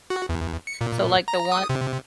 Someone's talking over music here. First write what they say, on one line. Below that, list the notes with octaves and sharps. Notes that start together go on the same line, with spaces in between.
so like the one
F#4
E2
C#7
A#2
A#5
D#6
C3